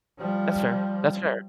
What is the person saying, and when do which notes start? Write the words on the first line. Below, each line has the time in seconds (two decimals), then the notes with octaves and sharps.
That's fair that's fair,
0.19 F3 G3